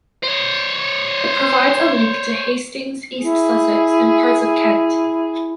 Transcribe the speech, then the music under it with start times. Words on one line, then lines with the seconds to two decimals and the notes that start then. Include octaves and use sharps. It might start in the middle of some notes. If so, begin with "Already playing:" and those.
It provides a link to Hastings, East Sussex and parts of Kent.
0.23 C5 C#5
3.22 E4 G#4